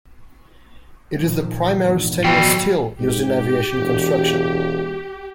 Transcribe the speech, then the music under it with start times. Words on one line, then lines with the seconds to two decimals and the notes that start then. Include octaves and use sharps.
It is the primary stainless steel used in aviation construction.
1.16 A#2 D#3 F3
1.79 A#1 E2 G#2
2.25 F3 F#4 G5
3.00 G#2 G4
3.78 E1